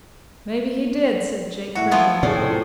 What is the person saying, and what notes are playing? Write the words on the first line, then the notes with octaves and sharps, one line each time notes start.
"Maybe he did," said Jake grimly.
A2 E4 F#4
F3 A3 B3 C6 G#6
A2 A3 G#4 C#5 D5
C5 G5
F#2 F3